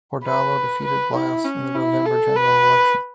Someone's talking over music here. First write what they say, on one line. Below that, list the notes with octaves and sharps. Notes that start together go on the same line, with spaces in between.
Bordallo defeated Blas in the November general election.
B4
B4
E4
C#4
E4
A4
B4